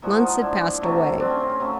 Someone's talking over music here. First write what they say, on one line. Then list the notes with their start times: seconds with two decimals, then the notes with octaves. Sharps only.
Months had passed away.
0.02 A#2 F3 G#3 E4 F#4
0.22 D#4 F4
0.41 D4 E4
0.82 C3 D#3 F#3 A3
1.20 C4 D4
1.30 C#4
1.40 C4
1.50 C#4
1.60 C#3 F#3 A3